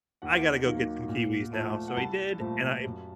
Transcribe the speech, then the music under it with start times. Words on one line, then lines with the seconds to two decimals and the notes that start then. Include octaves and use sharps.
"I gotta go get some kiwis now." So, I did, and I
0.22 D#2 F#5
0.66 D#3 F#3 A#3
1.09 A#2
1.53 F3 A3
1.88 F#5
1.97 C2 A5
2.40 A#2 F3 A3
2.84 F#2